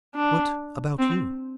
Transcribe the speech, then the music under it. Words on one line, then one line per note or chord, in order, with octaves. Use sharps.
What about you?
D4
C4